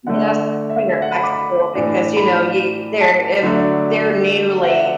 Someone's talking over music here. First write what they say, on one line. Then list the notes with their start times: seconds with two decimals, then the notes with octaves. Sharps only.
Yeah, s when you're in high school, because, you know, you they're if they're newly
0.07 D3 A3 D4 F#5
0.70 E5
0.91 E5
1.02 F#5
1.12 B5
1.23 D6
1.33 B5
1.75 A2 E3 D4
2.17 B5
3.01 A5
3.43 D3 F#3 A3 D4
4.64 F#5
4.69 E5